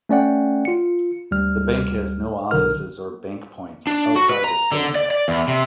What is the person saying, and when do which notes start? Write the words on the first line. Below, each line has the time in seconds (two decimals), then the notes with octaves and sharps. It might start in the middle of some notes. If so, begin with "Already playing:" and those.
The bank has no offices or bank points outside Estonia.
0.09 A3 C#4 D5 F#5 G5
0.65 F4 C#7
1.31 D2 G3 F6
2.51 B1 D3 A#4 F6
3.87 D4
4.15 F#4
4.29 B4
4.44 A#5
4.72 D3
4.95 D5
5.11 D5
5.28 E2
5.48 C3